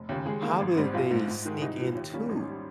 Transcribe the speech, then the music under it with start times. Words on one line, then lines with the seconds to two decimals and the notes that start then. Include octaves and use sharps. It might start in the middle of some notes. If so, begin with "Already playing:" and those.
how do they sneak into
Already playing: F1
0.09 D#2 C#3
0.26 D#2 G#3 G#4
0.42 D#3 A#3
0.60 G#1
0.77 G#2 G3 C4
0.93 A#1 F3 F4
1.11 G#2 F3
1.28 G#2
1.45 D#3 G#3
1.62 C2 D#4
1.79 A#2 F3
1.95 D#2
2.13 D#3 G3 A#3 C#4
2.29 G#1 D#4
2.39 C#4
2.48 G3